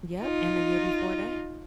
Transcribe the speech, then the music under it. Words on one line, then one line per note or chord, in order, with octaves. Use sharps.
Yep, and the year before that.
D#4 F4